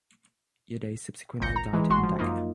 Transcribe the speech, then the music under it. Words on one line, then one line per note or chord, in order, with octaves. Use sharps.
Udai subsequently died in Dhaka.
G#1 C#2 A#2 G6 A#6 C#7
A#5
E3 G#3
G#1 G#3 F#4 C6
F3
F#2 A#3 D#4 F4